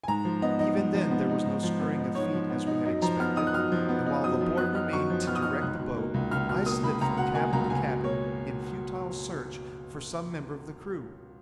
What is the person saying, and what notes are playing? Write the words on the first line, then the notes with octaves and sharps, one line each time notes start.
Even then there was no scurrying of feet as we had expected, and while the boy remained to direct the boat I slid from cabin to cabin in futile search for some member of the crew.
G#5
G#2 A#5
F3
B3 D#5
D#4 D#5
G#2
F3
B3
D#4
G#2
F3
B3
D#4
G#2 C#5
F3
B3
D#4
F#2 D#5
F3 A#5
B3 F6
D#4 D#6
F#6
F#2 F6
F3
B3
D#4
F#2 D#6
F3
B3 F#6
D#4 F6
F#2 C#6
F3
B3 F6
D#6
D#4 F6
C#2 F#6
B2
A#3
C#2
C#2 F6
B2 F6
A#3 D#6
C#2 B5
C#2 A#5
B2 F#5
A#3 G#5
C#2 A#5
C#2 G#5
B2
A#3 C#5